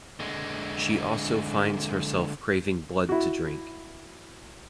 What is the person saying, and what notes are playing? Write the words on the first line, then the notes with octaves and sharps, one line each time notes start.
She also finds herself craving blood to drink.
D3 G#3
E4 F#4